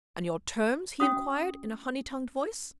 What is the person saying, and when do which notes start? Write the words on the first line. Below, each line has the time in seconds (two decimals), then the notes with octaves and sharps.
'And your terms?' he inquired, in a honey-tongued voice.
1.00 C#4 F#4 D#6